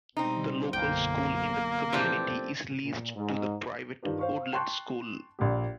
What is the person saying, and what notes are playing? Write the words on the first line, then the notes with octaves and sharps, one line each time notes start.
The local school in the community is leased to the private Woodland School.
B2 G3 C4 D#4
B1 F#2 D3 A#3 G5
A#2 E3 F3 A3 C4 D4 G4
A#2
G#2
G2 D#3 F4 G4 B4
C5 F5 C#6
G5 A5 C6 C#6 F#6
A#1 A#2 G4